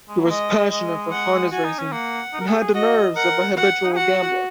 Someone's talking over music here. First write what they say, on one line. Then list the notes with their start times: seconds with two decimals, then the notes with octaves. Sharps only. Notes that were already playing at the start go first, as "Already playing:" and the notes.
He was passionate for harness racing and had the nerves of a habitual gambler.
0.09 G#3
0.19 F#3
0.24 A#3
0.30 G#3 D#5
0.70 G#3 D#5
1.11 F#5
1.51 F#4 G#5
1.65 D#4
1.79 C#4
1.92 A#3 F#5
2.34 D#4
2.41 A#4
2.48 G#4
2.60 G#4
2.74 F#4 D#5
3.16 A#4 F#5
3.56 F#4 F#5
3.83 D#4
3.92 G#4
3.97 F#4 F#5